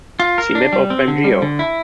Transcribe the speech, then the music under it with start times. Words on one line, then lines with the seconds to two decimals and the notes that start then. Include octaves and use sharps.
See map of Bengeo.
0.20 F4
0.38 A#4
0.55 D4
0.73 G3
0.90 C4
1.08 D3
1.24 G3
1.42 D3
1.59 E4